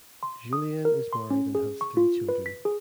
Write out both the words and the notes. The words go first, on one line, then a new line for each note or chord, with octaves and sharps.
Julien is married and has three children.
C6
D#6
A#4
C6
C#4
G#4
C#6
F4
B4
B6
G#4